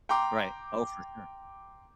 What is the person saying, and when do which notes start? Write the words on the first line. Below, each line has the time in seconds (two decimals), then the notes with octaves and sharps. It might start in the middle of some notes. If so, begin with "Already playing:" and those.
Right. Oh, for sure.
0.09 G5 A#5 C6 D6